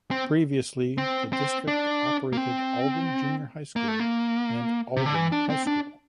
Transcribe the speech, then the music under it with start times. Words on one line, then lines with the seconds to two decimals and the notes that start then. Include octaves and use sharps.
Previously the district operated Alden Junior High School and Alden High School.
0.11 C4
0.98 C4
1.33 C4
1.68 D4
2.33 A#3
2.37 C4
3.76 A#3
3.88 A3
4.00 A#3
4.97 C3
5.06 D3
5.15 E3
5.32 D4
5.50 C4
5.67 D4